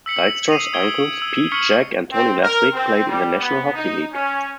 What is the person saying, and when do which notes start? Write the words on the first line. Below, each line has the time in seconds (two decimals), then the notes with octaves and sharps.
Dykstra's uncles, Pete, Jack, and Tony Leswick, played in the National Hockey League.
0.06 E6 B6 C#7 F#7
0.51 D#6 C7 D#7 F7
0.73 D#6 G#6 D7 G7
1.22 E6
1.52 C#6 F6 G#6 B6 C#7 F#7
2.11 C4
2.42 A#4
2.72 C4
3.07 G3
3.38 B3
3.73 D#4
4.11 C#4